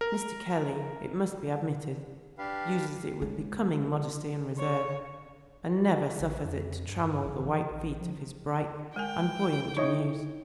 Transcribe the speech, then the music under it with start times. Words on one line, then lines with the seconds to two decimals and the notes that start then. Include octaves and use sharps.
Mr. Kelly, it must be admitted, uses it with becoming modesty and reserve and never suffers it to trammel the white feet of his bright and buoyant muse.
0.01 A#4
2.38 D4 G4 B4 F5
3.22 G#3 C#4
4.58 C#5
6.20 A1
6.44 F2
6.87 G2
7.25 G#1
7.45 E3
7.71 A1
8.01 F3
8.96 G#3 A#4 G5 G#5
9.77 D#4 E4 C#5 D#5